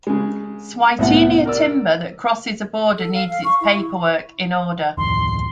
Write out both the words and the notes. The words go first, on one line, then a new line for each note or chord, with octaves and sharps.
"Swietenia" timber that crosses a border needs its paperwork in order.
C#3 G#3
C2 A2 B3 E4 F#5
A#4 D5 E6
A4
F5
F5
C#6
E4
D1 F2 D#3 C6